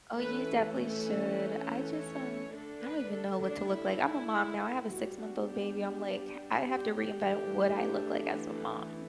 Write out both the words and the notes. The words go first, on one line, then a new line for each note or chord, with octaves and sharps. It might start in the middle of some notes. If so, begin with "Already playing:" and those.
Oh, you definitely should. I just, um I don't even know what to look like. I'm a mom now. I have a six-month-old baby, I'm, like, I have to reinvent what I look like as a mom.
E3 A3 C#4 B4
C#5
D3 A3 D4 A4
B4
A4
D4
E4
G3 B3 D4 F#4
F#4
G4
G4
G4
E3 A3 D4